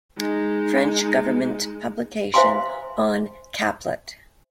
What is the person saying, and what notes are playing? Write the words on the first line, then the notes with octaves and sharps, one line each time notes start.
French government publication on Caplet.
G#3 D#4
C5 E5 F5 G#5 A#5 C6